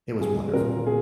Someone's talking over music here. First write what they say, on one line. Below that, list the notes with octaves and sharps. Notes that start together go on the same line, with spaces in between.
it was wonderful.
G3 G#4
A#2 A#4
A#3 G#4